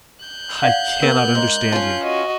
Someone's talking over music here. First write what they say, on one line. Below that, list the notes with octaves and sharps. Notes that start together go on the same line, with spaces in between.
"I cannot understand you!"
F#6 G6
D5 F5 F#5
B3 A#4
G#2
C#4 F4 A5
F#4 D#5